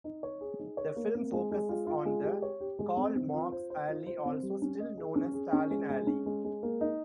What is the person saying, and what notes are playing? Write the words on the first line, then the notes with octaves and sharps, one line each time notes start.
The film focuses on the Karl-Marx-Allee, also still known as Stalin-Allee.
D#4
C#5
G#4
D#4
C#5
A#3
C4
G#3
G#3
F4
F4
G#3
G4
C#5
G4
G#3
C4
C4
F4
C5
C5
F4
C5
C4
G3
C#4
D#5
G#4
C#4
G#4
C#4
G#3
G#3
C#4
G#3
G#3
A#3
D#4